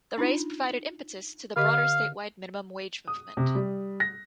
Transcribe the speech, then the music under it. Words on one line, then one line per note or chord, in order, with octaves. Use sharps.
The raise provided impetus to the broader statewide minimum wage movement.
D4 D#4 F4
D3 G4 D#5 F5
D#6
C3
G3
A#6